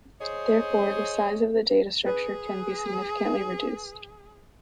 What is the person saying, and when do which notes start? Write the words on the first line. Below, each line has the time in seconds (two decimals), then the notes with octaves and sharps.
Therefore, the size of the data structure can be significantly reduced.
0.21 G#4 C5 C#5 D#5
2.06 G#4 B4